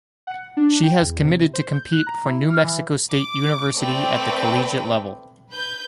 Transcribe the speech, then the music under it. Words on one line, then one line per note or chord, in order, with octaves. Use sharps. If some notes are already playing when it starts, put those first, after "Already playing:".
She has committed to compete for New Mexico State University at the collegiate level.
F#5
D4
G5
E2
C3
C5
G6
F#6
A#5
E4
F6
E3
D6
A3 C4 B4 D5 G5
B4 G6